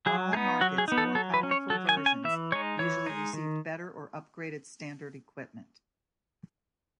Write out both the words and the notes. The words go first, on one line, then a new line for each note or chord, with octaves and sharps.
On all markets more powerful versions usually received better or upgraded standard equipment.
F#3 G#4
B3 D#4 G#4
F#3 F#4
G#4
B3 D#4
A4
F#3 A4
B4
C#4
C#5
F#3 A4
G#5
C#4
G#5
E3 E5
G#3 D#4 C#5
E3 C#5
G#3 D#4
D#3